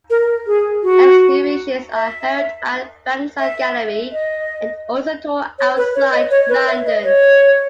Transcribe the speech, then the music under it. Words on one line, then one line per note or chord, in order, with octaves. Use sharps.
Exhibitions are held at Bankside Gallery and also tour outside London.
A#4
G#4
F#4
E5
E5
D#5
C#5
B4
C#5
D#5
C#5
B4
E5
D#5
C#5